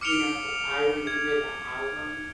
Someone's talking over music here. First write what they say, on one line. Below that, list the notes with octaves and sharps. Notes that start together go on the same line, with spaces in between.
You know, I remember that album,
D6 F6 C#7 D7 F7 G7
G#6